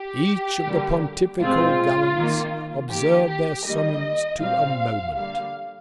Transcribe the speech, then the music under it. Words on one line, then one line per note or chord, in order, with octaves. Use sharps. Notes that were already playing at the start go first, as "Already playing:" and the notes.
Each of the pontifical Gallants observ'd their Summons to a Moment.
Already playing: G4
D3 G3 A#3
A#2 G#3 C4 F4
D#3 A#3
D#3 A#3 G4
G4
D#3 G3 A#3 D#5
A#2 G3 C4 F5
D3 G3 A#3 F5